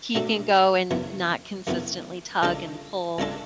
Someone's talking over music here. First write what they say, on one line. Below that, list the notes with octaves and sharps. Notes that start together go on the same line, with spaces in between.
h he can go and not consistently tug and pull,
B2 A3 D4 F#4 A4
F#2 C#3 E3 B3
F#2 C#3 E3 B3
C#2 C#3 G#3 D4 A4
C#2 C#3 G#3 D4 A4